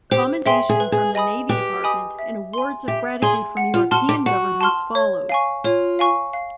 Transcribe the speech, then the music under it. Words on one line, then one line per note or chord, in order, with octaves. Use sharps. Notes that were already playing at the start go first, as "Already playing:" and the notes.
Commendation from the Navy Department and awards of gratitude from European governments followed.
G4 C5
G#4 E5 G5 C6
G#4
B4
G#4
D#5 G#5 B5 D#6
G4 B4
D#5 G#5 B5 D#6
E5
G#5 C6
G4 E5
G#4 G#5 C6
F#5
F4
F#4 A5 C6 F6
G4
F#4 F#5
A5 C6 F6
C#5
F5 G#5 C#6
F4 C#5
F5 G#5 C#6
F5